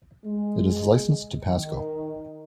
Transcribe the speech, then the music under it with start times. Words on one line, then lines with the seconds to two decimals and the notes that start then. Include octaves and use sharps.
It is licensed to Pasco.
0.25 G#3
1.48 D#3